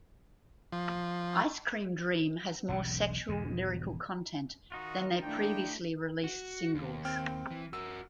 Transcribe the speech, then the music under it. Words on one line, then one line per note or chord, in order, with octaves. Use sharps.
Ice Cream Dream has more sexual lyrical content than their previously released singles.
F3
E1 B1 A#2 C#3
E1 E2 G#2 D3
D#3 D#4 F4 F#4
A3 D4 E4 G5
F#4
D#2
C4 G5 F6
E3
F#4 A#4 E6